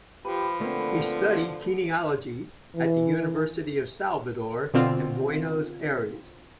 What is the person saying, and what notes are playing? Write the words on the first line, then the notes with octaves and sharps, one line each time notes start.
He studied kineology at the University of Salvador in Buenos Aires.
F3 G4 B4
D3 A3 A#3 C4
E3
B2 D3 C4 F4